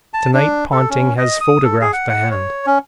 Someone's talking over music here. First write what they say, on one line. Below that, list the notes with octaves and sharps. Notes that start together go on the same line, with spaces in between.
To-night Ponting has photographed the hand.
A5
D4
A4
C#4
D#5
D#6
A4
G#4
F#5
F#5
C#5
C#4